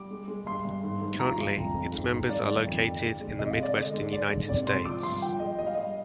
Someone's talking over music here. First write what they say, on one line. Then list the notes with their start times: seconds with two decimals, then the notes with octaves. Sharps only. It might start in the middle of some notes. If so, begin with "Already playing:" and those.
Currently, its members are located in the midwestern United States.
Already playing: G3 D6
0.11 G#3
0.28 G#3
0.46 G2 C6
0.65 G2
0.84 G#2
1.01 G#2
1.19 F3 A#5
1.38 G2
1.57 F2
1.74 F2
1.92 G#2
2.11 G#2
2.29 G2 D5
2.45 D#3 D5
2.66 F2
2.84 D3
3.02 G#3
3.21 G#3
3.39 C3 D#5
3.51 F5
3.57 G#3
3.63 D5
3.75 D3 D#5
3.94 G#3
4.12 G#3 D5
4.30 G#2
4.48 C3 D5
4.67 C3 C6
4.85 F3 D6
5.03 G2 C6
5.22 F3 G5
5.40 G#3 D#5
5.58 G3 D#5
5.67 F5
5.75 G3 D#5